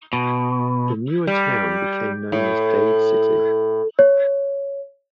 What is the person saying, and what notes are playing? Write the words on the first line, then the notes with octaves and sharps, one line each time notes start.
The newer town became known as Dade City.
B2
G3
A2
C#5